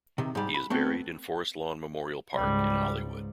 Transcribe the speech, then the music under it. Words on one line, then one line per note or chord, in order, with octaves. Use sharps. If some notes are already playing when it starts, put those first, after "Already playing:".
He is buried in Forest Lawn Memorial Park in Hollywood.
C3 D#3
G#2 G3
B5
A3 B3 C4
C#2 G#2 G3